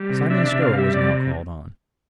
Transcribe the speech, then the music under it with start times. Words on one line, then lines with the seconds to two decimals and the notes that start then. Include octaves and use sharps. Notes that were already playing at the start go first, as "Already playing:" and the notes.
Simon Stow was now called on.
Already playing: G3
0.10 C3
0.30 D4 E5
0.46 E5
0.52 C3
0.62 F5
0.72 G3
0.78 E5
0.94 C3 D5